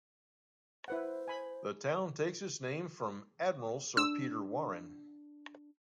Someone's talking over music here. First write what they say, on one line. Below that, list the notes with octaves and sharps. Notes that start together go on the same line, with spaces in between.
The town takes its name from Admiral Sir Peter Warren.
E4 B4 C5 F#5
G#5 B5
D4 E6